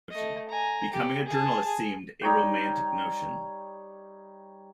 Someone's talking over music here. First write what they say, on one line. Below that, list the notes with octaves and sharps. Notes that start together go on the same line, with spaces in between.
Becoming a journalist seemed a romantic notion.
A3 D#5
G#5 A#5
G4
G#4 A5
G#4
G3 D#4 C#5 G5